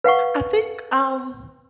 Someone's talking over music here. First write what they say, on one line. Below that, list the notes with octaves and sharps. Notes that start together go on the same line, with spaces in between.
I think um,
B4 F5 F#5 C#6